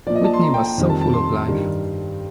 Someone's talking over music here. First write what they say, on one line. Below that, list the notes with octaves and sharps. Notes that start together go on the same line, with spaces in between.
Whitney was so full of life.
A#2 F3 D5
D#5
A5
C6
A#5
G5
G5
F2 D#3 G3
A5
A5
C6
G2 D#3 G3